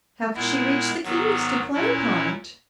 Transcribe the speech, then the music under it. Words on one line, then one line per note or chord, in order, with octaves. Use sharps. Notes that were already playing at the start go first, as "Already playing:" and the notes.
How could she reach the keys to play upon it?
A#2 G#3 B3 E4 A#4
G#2 D#3 F#3 B3
A#2 F#3 C#4 E4